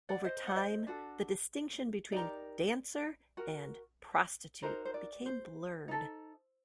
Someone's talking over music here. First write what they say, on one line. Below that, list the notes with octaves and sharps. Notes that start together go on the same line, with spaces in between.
Over time, the distinction between "dancer" and "prostitute" became blurred.
D5 F#5
C5 D#5
F#5
C5 D#5
D4 F#4 A4
D#4 G4 A#4 D5
F#4 A#4
D#4 F#4 A#4 C5
C5
D5
C5
D#4 A4